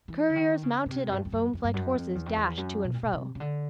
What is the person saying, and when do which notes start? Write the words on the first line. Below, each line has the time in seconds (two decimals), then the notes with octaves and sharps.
Couriers mounted on foam-flecked horses dashed to and fro.
0.08 E3
0.30 D3
0.36 D#3
0.63 C#3
0.86 C#3
0.90 C3
1.07 F#2
1.11 G2
1.25 F2
1.32 F#2
1.53 F2
1.64 G2
1.74 F#2
1.95 F2
2.15 E2
2.26 F2
2.36 E2
2.57 F#2
2.84 B2
2.94 A#2
3.02 B2
3.13 C3
3.35 C#3
3.40 D3